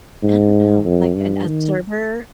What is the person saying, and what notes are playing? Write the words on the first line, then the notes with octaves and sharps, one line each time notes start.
I don't know, like an observer?
G#2
F2
G2
D#3